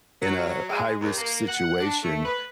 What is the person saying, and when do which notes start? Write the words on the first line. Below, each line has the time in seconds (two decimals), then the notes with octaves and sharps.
in a high risk situation
0.22 F#3
0.47 F#3
0.70 G#3
1.01 D#2
1.18 A#3
1.48 F#5
1.80 D4
2.03 A3
2.25 B4